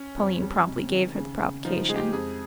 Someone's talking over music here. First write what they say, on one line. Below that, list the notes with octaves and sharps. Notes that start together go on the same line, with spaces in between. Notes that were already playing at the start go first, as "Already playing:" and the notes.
Pauline promptly gave her the provocation.
Already playing: C#4
F2
G3
C3
D#3
C#3
C#3
F3 D#4
G#3 G#4
G4
F2 G#4